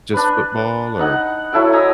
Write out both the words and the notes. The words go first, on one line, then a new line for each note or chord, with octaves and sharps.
just football or
D4 B4
D#4 F#5
F#3 E4 A4 G5
D#5 G#5 A#5 E6